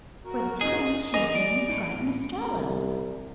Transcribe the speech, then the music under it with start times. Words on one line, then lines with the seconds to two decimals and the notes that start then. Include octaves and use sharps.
For the time she had even forgotten Estralla.
0.24 F#4 A#4
0.61 G2 C#3 D#4 G#4 D#5
1.14 E2 A#4 D#5 G#5
1.35 D5
1.72 A2
2.54 C2